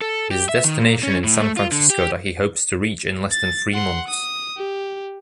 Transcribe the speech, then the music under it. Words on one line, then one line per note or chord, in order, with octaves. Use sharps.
His destination is San Francisco that he hopes to reach in less than three months.
A4
G4
E5
D#3
A#2
C#4
A2
A3
F4
D3
G4
A6
F#5 C6
D#6
G4